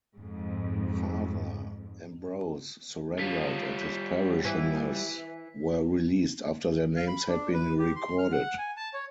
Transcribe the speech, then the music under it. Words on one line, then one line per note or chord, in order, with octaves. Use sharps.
Father Ambrose surrendered, and his parishioners were released after their names had been recorded.
F2 G#2
G3 F4 B6
E3
F5
B5
D4
B4
G4
C6
F6
F#5
G#5
A5
C#5